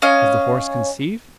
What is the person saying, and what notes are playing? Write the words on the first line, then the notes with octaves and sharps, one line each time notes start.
Has the horse conceived?
C#4 D#5 F5